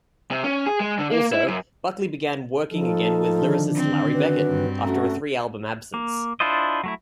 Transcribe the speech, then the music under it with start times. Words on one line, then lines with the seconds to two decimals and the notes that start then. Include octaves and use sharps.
Also, Buckley began working again with lyricist Larry Beckett, after a three-album absence.
0.31 C3
0.44 C#4
0.66 G#4
0.80 G#3
0.99 D3
1.11 A#3
1.33 E4
1.48 F#2
2.71 F3 D#4 A4
3.42 D3 D#3 D4
3.75 C4
4.14 F#2 C#4 F#4 B4
4.45 G2 C4
4.84 A3 C#4 F#4 A#5
5.94 A#3
6.40 D4 E4 F4 C5 D#5
6.84 F#3 A3 E4